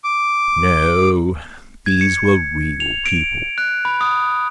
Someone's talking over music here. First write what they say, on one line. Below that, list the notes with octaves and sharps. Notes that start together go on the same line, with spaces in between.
No, these were real people.
D6
G#6
C#7
F7
D7
F#6
B5
D#6